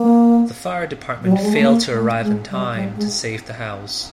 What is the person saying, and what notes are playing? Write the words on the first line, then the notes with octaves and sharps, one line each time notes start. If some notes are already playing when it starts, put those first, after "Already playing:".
The fire department failed to arrive in time to save the house.
Already playing: A#3
F#3
G3
G#3
A3
A#3
A3
G#3
G3
G3
G#3